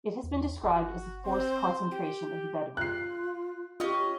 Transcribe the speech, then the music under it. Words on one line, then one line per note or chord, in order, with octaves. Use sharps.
It has been described as the "forced concentration of the Bedouin".
E2
G1 F#4
C4 C5
G4
F4 F#6 C7
C#4 F4 G4 D#5